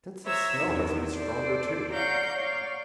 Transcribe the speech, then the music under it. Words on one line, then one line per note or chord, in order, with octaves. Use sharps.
Sense of smell must be stronger too.
C5 C#5 E5 A#5 E6
E2 C3 D#3 E3
A4 C5 D5
C#5 D5 F5 F#5 A#5 G6
C#5 D5 F5